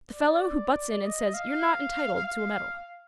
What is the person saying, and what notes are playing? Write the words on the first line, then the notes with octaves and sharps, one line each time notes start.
The fellow who butts in and says you're not entitled to a medal.
D5
D#5
F5
F5